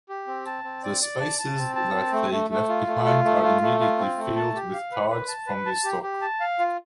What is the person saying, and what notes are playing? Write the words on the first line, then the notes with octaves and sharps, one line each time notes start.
The spaces that they left behind are immediately filled with cards from the stock.
G4
C4
A5
C4
D5
D5
A5
A5
C4
A5
C4
A3
A3
A3
F4
A3
F4
A3
F4
A3
F4
C4
A3
A5
G4
F5
B4
B4
A5
B4
A5
G4
G4
A5
F5
F4